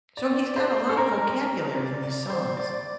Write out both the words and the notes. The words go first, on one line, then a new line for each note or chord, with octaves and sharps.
So he's got a lot of vocabulary in these songs?
D5
C5
A4
A#4
D5
D5
C5
D5